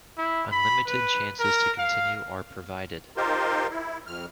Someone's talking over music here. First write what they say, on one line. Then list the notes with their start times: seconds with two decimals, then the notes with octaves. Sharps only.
Unlimited chances to continue are provided.
0.18 E4
0.52 B5
0.87 B4
1.39 A#4
1.78 F5
3.17 D#4 F4 G4 A#4 C5
3.71 E4
4.07 F2 F6